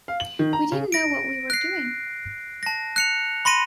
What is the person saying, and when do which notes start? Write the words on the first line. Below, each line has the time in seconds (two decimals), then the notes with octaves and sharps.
We didn't know what we were doing.
0.08 F5
0.20 F#7
0.39 D#3
0.53 A#5
0.72 C#3
0.92 A#6 D7
1.50 F#6 C7
2.63 A5 A#6
2.96 F#6 C#7 F7
3.45 B5 C6 A#6 D#7